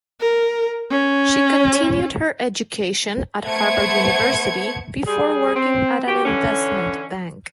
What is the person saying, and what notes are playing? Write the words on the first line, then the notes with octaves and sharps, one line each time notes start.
She continued her education at Harvard University, before working at an investment bank.
A#4
C#4
A3 B3 C5 G#6 C#7
G3 G#4
C4
D#2 F#4 G4
D3 E3 C#4